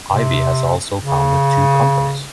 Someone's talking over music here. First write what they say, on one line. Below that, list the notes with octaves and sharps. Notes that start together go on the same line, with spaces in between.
Ivey has also founded two companies.
C3
C#3